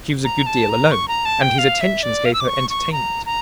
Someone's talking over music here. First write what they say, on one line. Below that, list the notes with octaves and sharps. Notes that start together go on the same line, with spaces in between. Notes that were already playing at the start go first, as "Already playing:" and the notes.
She was a good deal alone, and his attentions gave her entertainment.
A#5
A5
A#5
C#6
A#5
A5
G5
F5
E5
D5
F5
E6
D6
C#6
C#6
A#5
A#5